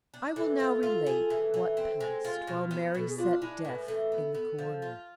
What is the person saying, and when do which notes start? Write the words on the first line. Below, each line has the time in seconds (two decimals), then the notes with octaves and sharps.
I will now relate what passed while Mary sat deaf in the corner.
0.14 D4
0.36 E3 A4
0.60 F4
0.83 F4
1.06 G#4
1.30 E3
1.54 E3
1.77 C4
2.00 G#3
2.25 F4
2.47 B2
2.71 B3
2.95 B2 A4
3.08 G#4
3.18 D4 F4
3.41 G#3 E4
3.64 A2 B4
3.88 E3 A4
4.12 B3
4.34 B3
4.59 F3
4.82 F4